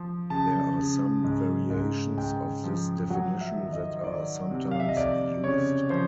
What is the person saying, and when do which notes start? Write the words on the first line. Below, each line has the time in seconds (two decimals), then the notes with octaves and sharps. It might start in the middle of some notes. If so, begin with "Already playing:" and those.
There are some variations of this definition that are sometimes used.
Already playing: F3
0.30 C#3 A5
0.77 C#3
1.24 G#2
1.70 G#2
2.17 G#2 G5
2.64 F3
3.10 F#3 F#5
3.41 E5
3.57 D#3
3.73 D#5
4.04 D#3 D5
4.51 C3
4.71 F5
4.80 E5
4.88 D#5
4.97 F2 D5
5.44 C#3 C#5
5.90 F3 C5